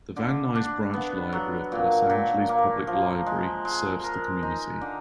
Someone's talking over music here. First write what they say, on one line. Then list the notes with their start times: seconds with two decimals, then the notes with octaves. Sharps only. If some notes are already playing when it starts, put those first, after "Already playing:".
The Van Nuys Branch Library of the Los Angeles Public Library serves the community.
0.17 D3
0.55 D4
0.94 B3
1.32 F#3
1.72 A#2
2.10 A#2
2.49 A#3
2.87 F3
3.26 G#3
3.65 G#3
4.04 A#4
4.43 D#4
4.81 D3